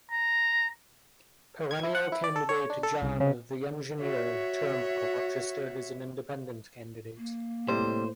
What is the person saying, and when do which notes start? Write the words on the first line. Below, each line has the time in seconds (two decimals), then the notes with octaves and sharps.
Perennial candidate John "The Engineer" Turmel registered as an Independent candidate.
0.11 A#5
1.71 G#6
1.83 E4
1.95 F#5
2.12 E4
2.24 D5
2.36 A4
2.49 C#5
2.70 D4
2.83 A4
3.02 C2
3.20 C#3
3.99 F#4 C#5 E5
7.18 A#3
7.68 A2 C3 G3 C5